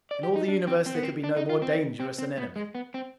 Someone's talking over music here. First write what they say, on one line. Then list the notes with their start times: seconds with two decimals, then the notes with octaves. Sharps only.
In all the universe there could be no more dangerous an enemy.
0.11 D5
0.23 G4
0.36 D#4
0.48 D4
0.67 C4
0.86 C4
0.95 B3
1.03 C4
1.24 D4
1.37 D#4
1.49 F4
1.62 C4
2.00 C4
2.18 C4
2.38 B3
2.56 G#3
2.75 B3
2.94 C4